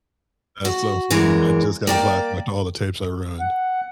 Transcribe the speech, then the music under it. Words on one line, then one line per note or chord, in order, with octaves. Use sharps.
That's so funny, I just got a flashback to all the tapes I ruined.
F#4
E2 E3 G#3 A#4
A#3 D5 G5
F#5